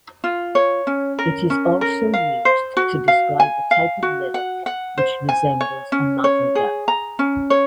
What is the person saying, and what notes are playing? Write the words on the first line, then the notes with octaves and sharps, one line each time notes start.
It is also used to describe a type of lyric which resembles a madrigal.
F4
C#5
C#4
A#4
C#4
A#4
F5
C5
F#4
F5
G#5
F5
F#4
F#5
F#5
C5
G#5
C#5
C#4
C#5
G#4
A#5
C#4
C#5